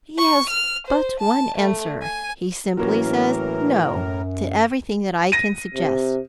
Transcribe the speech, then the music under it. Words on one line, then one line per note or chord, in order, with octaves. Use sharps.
He has but one answer--he simply says No to everything that I can suggest.
C#6
F6
C5
A5
A3
G#5
A2 E3 F#3 A#3 C#4 A#4
F#2
A#6 D#7
C3